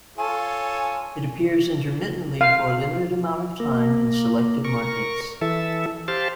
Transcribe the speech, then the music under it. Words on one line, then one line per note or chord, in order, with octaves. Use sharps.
It appears intermittently for a limited amount of time in selected markets.
F4 A4 C#5 G#5
F5
A#3
A#4 C#6
E3 A4 E5
G4 C5 F5 A5